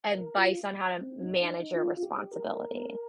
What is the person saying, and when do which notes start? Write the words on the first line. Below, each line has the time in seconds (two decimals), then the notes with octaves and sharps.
advice on how to manage your responsibilities?
0.14 A#4
0.36 F4
1.01 C4
1.23 D#4
1.44 D#4
1.74 F4
1.97 F4
2.03 G4
2.31 A#4
2.75 A#4